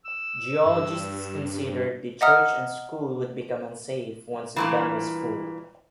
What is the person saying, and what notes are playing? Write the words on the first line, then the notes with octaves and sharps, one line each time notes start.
Geologists considered the church and school would become unsafe once the dam was full.
E6
G2
D#5 E5 F#5 A#5 D#6 F6
G2 A#2 E3